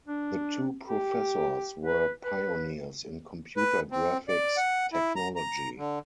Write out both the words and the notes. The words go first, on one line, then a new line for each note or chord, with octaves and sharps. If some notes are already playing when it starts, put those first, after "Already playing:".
The two professors were pioneers in computer graphics technology.
D4
G4
B4
B4
B4
C4
D5
F#5
E4
A#5
A#5
D3